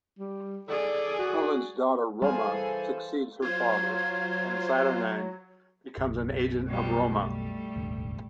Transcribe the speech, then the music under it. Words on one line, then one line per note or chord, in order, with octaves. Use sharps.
Merlyn's daughter Roma succeeds her father, and Saturnyne becomes an agent of Roma.
G3
G#4 A4 D5
F#4
E3 G3 G#4 A4 C5 F5 G#5 A5
F#3 F4 C5 G#6
F#1 B1
B2 F3 G3
G3 A3
E1 A1 D2